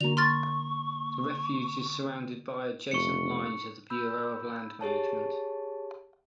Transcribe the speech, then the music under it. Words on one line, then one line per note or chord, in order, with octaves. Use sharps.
The refuge is surrounded by adjacent lines of the Bureau of Land Management.
D3 A#3 F#4 F7
C6 C#6 F6 A6
F1 C#6 C#7
B5 E6 G6
G4 G#4 C#5 A5